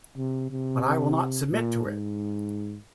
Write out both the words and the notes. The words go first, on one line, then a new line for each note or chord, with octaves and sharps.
But I will not submit to it!
C3
C3
A#2
G#2